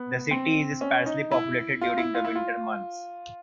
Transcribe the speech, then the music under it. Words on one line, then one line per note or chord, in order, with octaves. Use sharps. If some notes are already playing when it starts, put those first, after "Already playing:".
The city is sparsely populated during the winter months.
Already playing: B3
C4
C#4
D#4
E4
F4
E4
F4
E4
F4